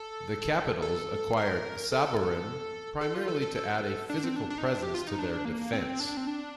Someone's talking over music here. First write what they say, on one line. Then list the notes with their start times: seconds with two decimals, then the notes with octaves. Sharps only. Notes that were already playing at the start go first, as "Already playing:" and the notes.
The Capitals acquired Sabourin primarily to add a physical presence to their defence.
Already playing: A4
0.82 A4
1.37 A#4
1.92 A4
3.01 A4
3.15 F4
3.28 A4
3.42 A4
3.55 A4
4.09 D4
4.24 C4
4.36 D4
4.50 D4
4.58 D#4
4.64 D4
4.83 G4
4.94 F4
5.07 D#4
5.19 D4
5.45 A#3
5.73 C4
6.00 D4
6.17 C4
6.27 D4